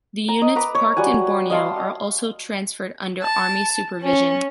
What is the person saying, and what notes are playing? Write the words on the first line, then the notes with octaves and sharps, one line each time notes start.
The units parked in Borneo are also transferred under army supervision.
A#5
D#5
B4 A#5 D6
C#5
G3 F#4 F#5 G#5
D#5 F5 A5 C6
A5
C#4